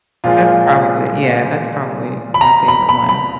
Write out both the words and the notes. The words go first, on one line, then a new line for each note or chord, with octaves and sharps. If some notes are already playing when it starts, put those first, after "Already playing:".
That's probably yeah, that's probably my favorite one.
A#2 F3 G#3 F4
B5
A#5
B5
B5
B5